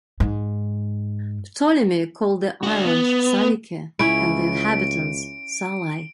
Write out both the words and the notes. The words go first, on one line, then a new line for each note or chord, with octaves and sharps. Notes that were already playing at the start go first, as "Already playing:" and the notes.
Ptolemy called the Island "Salike", and the inhabitants "Salai".
G#2
D4 F#4
B3
C#2 C#4 E4 D7